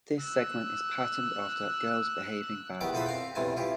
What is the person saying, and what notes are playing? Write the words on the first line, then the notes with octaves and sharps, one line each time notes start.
This segment is patterned after "Girls Behaving Badly".
E6 F#6
E2 D#3 B3 G4 D6
E2 F3 A4 B4 C5 B5
C4 F5 G5
B1 G2 C3 E3 G#5 A5
E4 F4 G4